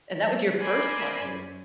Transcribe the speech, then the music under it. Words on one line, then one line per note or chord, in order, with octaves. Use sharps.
and that was your first concert.
F#3
A#4 C5 D5 G#5 B5 C6
F#2